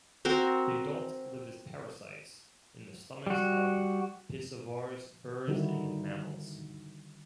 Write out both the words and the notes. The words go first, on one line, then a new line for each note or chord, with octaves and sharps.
The adults live as parasites in the stomachs of piscivorous birds and mammals.
C4 F#4 A#4 C5
G3 F#4
D3 D#3 G3 D#4 E4 F#4